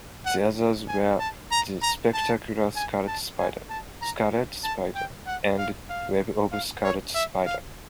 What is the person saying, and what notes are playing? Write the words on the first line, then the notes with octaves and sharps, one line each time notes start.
The others were "The Spectacular Scarlet Spider", "Scarlet Spider", and "Web of Scarlet Spider".
F#5
G#5
A5
A#5
A#5
A5
G#5
A5
G#5
A5
A#5
A5
G5
F#5
F5
F5
F5
C#5
E5
F5